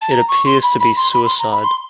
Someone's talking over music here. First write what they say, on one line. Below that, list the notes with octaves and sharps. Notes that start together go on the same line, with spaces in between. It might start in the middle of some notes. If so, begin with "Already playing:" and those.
It appears to be suicide.
A5
A#5
C#6
C6
B5
B5
C6
B5
C6
A#5
B5
C6